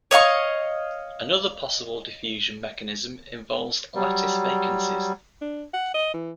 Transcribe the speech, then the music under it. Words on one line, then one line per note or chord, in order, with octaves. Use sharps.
Another possible diffusion mechanism involves lattice vacancies.
C#5 D#5 F5 C#6
F#3 G3
D4
F#5
D#5
E3